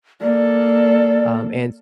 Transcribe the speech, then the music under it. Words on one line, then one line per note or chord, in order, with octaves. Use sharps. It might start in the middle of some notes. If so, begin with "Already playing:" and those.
Um, and
A#3 A4 D5